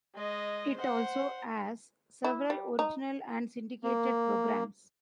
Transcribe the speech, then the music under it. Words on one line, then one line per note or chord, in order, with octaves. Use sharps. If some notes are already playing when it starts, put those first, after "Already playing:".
It also airs several original and syndicated programs.
G#3 D#5
C5 F#5
E4
G3
D#4
A#3